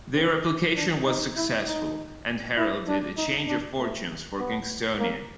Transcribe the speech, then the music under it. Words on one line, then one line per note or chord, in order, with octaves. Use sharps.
Their application was successful, and heralded a change of fortunes for Kingstonian.
C4
D4
D#4
E4
D#4
E4
D4
D#4
D4
A3
B3
A#3